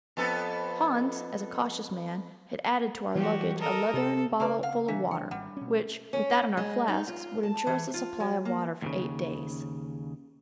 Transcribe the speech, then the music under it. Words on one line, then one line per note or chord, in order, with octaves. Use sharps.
Hans, as a cautious man, had added to our luggage a leathern bottle full of water, which, with that in our flasks, would ensure us a supply of water for eight days.
F2 B3 A4
E3 F#3 G3 F#4 G4
A4 A#4 D#5
C3 A4
C#3 A#3 G4 B4 D5
F5 F#5
E3 D4 F5 A#5
G5
G#1 G3 F#5
B2 C#4
C#4
G#3
D#4
F4
A5
E3
F4
F#3
A#3
D#2 A#2 C#3